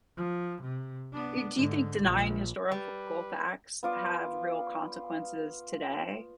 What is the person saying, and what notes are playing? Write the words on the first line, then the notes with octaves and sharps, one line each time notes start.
e do you think denying historical facts have real consequences today?
F3
C3
B3 D4
G#2 D3
A#1
G3 B4
B3 F4 D5